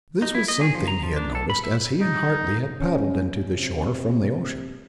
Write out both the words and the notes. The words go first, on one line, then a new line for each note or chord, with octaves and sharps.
This was something he had noticed as he and Hartly had paddled in to the shore from the ocean.
D#4
E4
D#5
G#4
F3
A#5
F3
D4
A4
B5
E5
D#4
C#4
C3